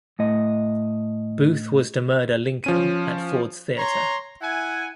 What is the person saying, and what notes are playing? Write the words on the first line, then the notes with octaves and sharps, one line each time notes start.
Booth was to murder Lincoln at Ford's Theatre.
A2 A3 D#5
F3 C#4 D#7
C#5 A#5 C6
E4 F#5 G#5